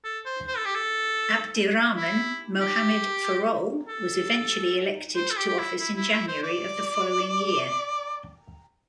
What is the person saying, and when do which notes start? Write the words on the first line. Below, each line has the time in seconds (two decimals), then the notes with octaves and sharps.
Abdirahman Mohamud Farole was eventually elected to office in January of the following year.
0.04 A4
0.26 C5
0.47 C5
0.57 A4
0.65 G4
0.75 A4
1.97 E4
2.61 G4
3.88 A4
5.16 C5
5.30 A4
5.37 G4
5.48 G4
5.58 E4
5.80 E4
5.96 E4
6.12 E4
6.28 C5
6.43 D5